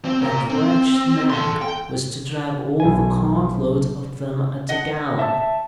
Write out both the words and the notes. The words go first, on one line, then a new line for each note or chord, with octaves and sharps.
That wretched nag was to drag all the cartload of them at a gallop!
C4
A#2 A#4
C4
A4 C6
G5
B1 G#5
D#5 F#5
E5 A5